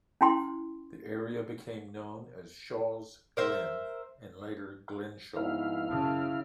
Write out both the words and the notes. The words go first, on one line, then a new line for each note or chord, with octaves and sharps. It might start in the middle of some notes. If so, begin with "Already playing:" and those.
The area became known as "Shaw's Glen", and later Glenshaw.
C#4 E4 G5 C6
A#4 C5 E5
F2 G#2 B2 E4 F5
F#2 C#3 A5